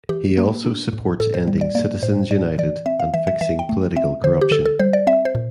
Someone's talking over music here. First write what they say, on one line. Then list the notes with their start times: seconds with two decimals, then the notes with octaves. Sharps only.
He also supports ending Citizens United and fixing political corruption.
0.09 E3 G4
0.38 A#3
0.65 D4
0.93 A2
1.20 A2 A4
1.34 C5
1.47 G3
1.61 D5
1.75 A#3 D5
2.03 A2 C5
2.31 A2 D5
2.58 E3 D5
2.86 C4 E5
3.00 F5
3.14 E3 E5
3.27 E5
3.41 E3 E5
3.59 G5
3.69 A3
3.96 C4 E5
4.24 D3 C5
4.41 G4
4.51 D3 A4
4.65 A4
4.79 G3 C5
4.93 D5
5.07 C4 E5
5.25 C5
5.35 A#2